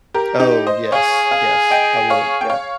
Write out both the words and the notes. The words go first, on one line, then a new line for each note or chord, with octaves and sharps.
Oh, yes, yes, I would, yep.
G4 A#4
D#4 G4
C5 D#5
G#4 C#5 F5
F5 G#5
D#5 G5
C#5 F5
G5
C#5 F5